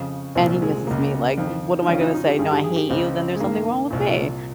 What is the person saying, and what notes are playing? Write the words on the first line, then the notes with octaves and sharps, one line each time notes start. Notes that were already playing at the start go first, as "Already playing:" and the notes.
and he misses me, like, what am I gonna say? "No, I hate you," then there's something wrong with me.
Already playing: F2 C#3
C2 A#2 C4
G#3
C#2 C#3 A#3
F2 D#3
D#4
F2 C#3 C#4
F4
D#4
D#4
G4
G2 D#3 G#4
G4
G#4
G4
C#2 C#3 C4
C4
G#3
G2 D#3 A#3
C2 A#2